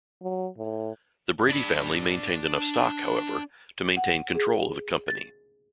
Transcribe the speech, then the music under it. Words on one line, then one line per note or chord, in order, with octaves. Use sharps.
The Brady family maintained enough stock, however, to maintain control of the company.
F#3
A2
D4 B5
F#5
G#4
A6